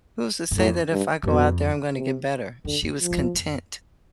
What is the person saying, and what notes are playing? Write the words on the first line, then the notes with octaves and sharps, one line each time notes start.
"Who's to say that if I go out there, I'm gonna get better?" She was content.
G2
F2 A2
G2
G2
F2 B2
C3
E2 D3
F2
F3
F2
E2
F2